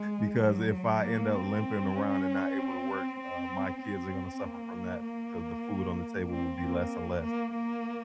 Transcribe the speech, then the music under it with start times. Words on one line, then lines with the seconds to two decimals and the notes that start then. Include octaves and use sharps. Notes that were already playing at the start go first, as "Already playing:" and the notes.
because if I end up limping around and not able to work, uh, my kids are gonna suffer from that, 'cause the food on the table will be less and less,
Already playing: G#3
0.41 F#3
1.04 A#3
1.34 C4
1.96 C#4
2.58 C4
3.20 C4
3.82 C4
4.45 A#3
5.06 A#3
6.31 C4
6.61 A#3
7.23 A#3
7.54 A#3